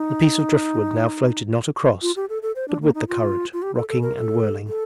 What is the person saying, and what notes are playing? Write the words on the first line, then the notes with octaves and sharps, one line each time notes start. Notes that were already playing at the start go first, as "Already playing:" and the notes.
The piece of driftwood now floated not across, but with the current, rocking and whirling.
Already playing: D#4
F4
G4
A4
A4
C5
D4
A#3
D#4
F4
F4
G4
A4
A4
A#4
A#4
A4
A4